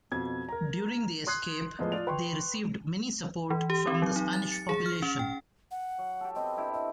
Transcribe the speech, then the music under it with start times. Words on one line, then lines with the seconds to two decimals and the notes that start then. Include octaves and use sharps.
During the escape they received many support from the Spanish population.
0.11 F2 B2 G#6
0.49 A#4 A#5
1.27 C6 D#6 F#6 G#6 C7
1.79 E2 A2 F3 G#3 B3
1.92 F4 D5 F7
2.07 B4 G5 C6 C#6
3.50 E3
3.70 G4
3.87 C4
4.02 F#3
4.16 D#4
4.33 A6
4.52 C#7
4.69 G#4
4.86 F6
5.02 C#4
5.19 G5
5.71 F#5
5.98 F#3
6.21 G4 A4
6.35 B3 C4 D#5 G5
6.56 D4 E4 G4
6.73 D#5